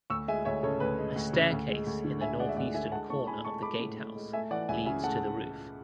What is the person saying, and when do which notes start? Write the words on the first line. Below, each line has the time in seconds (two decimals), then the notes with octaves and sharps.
A staircase in the northeastern corner of the gatehouse leads to the roof.
0.10 D2 C#6 E6
0.28 G#3 E5 G#5
0.45 D2 C#5 E5
0.63 C#3 A4 C#5
0.80 D2 B4
0.99 G#3
1.16 D2
1.33 C#3
1.52 D2
1.69 G#3
1.86 D2
2.04 D3
2.21 D2 E5 G#5
2.40 G#3 D5 F#5
2.49 E5
2.57 D2 D5 F#5
2.74 D3 E5 G#5
2.92 G#3 F#5 A5
3.10 A2 A5 C#6
3.27 A2 G#5 B5
3.45 G#3 A5 C#6
3.62 G#3 B5 D6
3.80 A2
3.98 A2
4.15 G#3
4.33 A3 E5 G#5
4.51 E3 D5 F#5
4.68 C#2 E5 G#5
4.86 C#3 E5 G#5
5.03 A3 F#5 A5